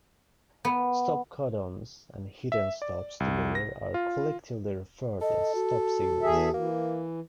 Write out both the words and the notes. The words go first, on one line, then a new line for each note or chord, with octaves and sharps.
Stop-codons and hidden stops together are collectively referred as stop-signals.
B3
E5
D5
C2
A#6
F4
A4 D#5
F#4
E2 G#4 E5
E3 A#3